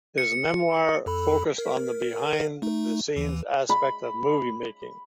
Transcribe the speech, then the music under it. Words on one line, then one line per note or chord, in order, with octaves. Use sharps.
His memoir focused on the behind the scenes aspect of movie-making.
C#7
F2 A4 B5
A#4
A3 D#4
D#2 E3
B5